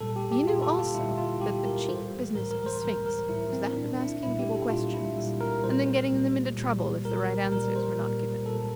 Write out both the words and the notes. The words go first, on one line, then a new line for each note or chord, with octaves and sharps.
He knew, also, that the chief business of a Sphinx was that of asking people questions, and then getting them into trouble if the right answers were not given.
A#2 G3 A4
G4
G4
A#2 G3 F4
A4
F4
A#2 G3 E4
F4
A#2 G3 G4
A#4
A2 E3 G3 C5
A2 E3 G3 A#4
A#4
C5
A2 E3 G3 A#4
A#4
A2 E3 G3 E4
C4
A#2 G3 D4
E4
A#2 G3 E4
G4
A4
A#2 G3 F4
E4
A#2 G3
A#4
A#2 G3 C5
A#2 G3
A#2 G3
A#2 G3 A#4
A#2 G3 A#4
C5
A#2 G3
A#2 G3 A4